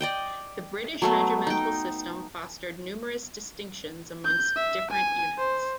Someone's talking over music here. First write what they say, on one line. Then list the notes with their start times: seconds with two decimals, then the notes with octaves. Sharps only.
The British regimental system fostered numerous distinctions amongst different units.
0.01 D5 D#5 G5
1.02 F#3 A3 B3
1.47 D#4 G5
4.25 G6
4.56 E5
4.91 G#5
5.38 C5